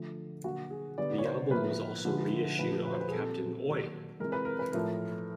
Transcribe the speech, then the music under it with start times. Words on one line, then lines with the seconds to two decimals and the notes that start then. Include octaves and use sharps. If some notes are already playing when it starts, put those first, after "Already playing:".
The album was also reissued on Captain Oi!
Already playing: D3 F3 A3
0.44 D3 F#3 A#3 F#4
0.71 G#4
0.98 D3 G3 B3 D5
1.18 C#5
1.25 C5
1.51 A2 F3 A#3 B4
2.05 D3 F3 G#3
2.59 A#2 F3 A3 B4
2.85 B4
2.93 C5
3.01 B4
3.08 G#4
3.12 A#2 G3 C4 A4
3.66 D#3 F#3 A#3
4.20 C3 E3 G#3 A#4
4.32 B4
4.45 A#4
4.59 B4
4.72 A2 F3 A3 A#4